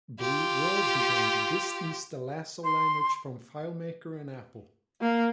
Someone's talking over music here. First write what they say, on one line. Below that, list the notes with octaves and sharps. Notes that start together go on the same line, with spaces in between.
Blue World began to distance the Lasso language from FileMaker and Apple.
F4 G4
C6
A#3